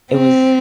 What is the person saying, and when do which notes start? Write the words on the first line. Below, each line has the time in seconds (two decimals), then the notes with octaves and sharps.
It was
0.12 C4